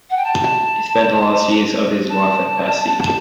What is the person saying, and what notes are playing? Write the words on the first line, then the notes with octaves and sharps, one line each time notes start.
He spent the last years of his life at Passy.
F#5
G5
A5
A5